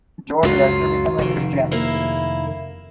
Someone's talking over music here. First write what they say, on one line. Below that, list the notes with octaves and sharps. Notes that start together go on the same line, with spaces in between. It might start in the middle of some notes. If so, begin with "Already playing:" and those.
Joad later became a Christian.
C#2 F#2 F#3 F4
F1 D#3
A#3 E4